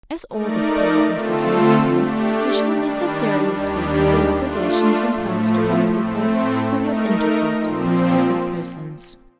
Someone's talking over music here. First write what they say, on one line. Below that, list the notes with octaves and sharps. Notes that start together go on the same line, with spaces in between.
As all this politeness is mutual, we shall necessarily speak of the obligations imposed upon people who have intercourse with these different persons.
A3 D#4 A#4 D5
D3 A3 C4 F4 A4
A3 D4 G4
D#3 G3 D4
D#2 D#3 G3 D4 G4
A3 D4 F4
A2 F3 A3
A2 A3 C4
A3 D#4 A#4
A#2 F3 C4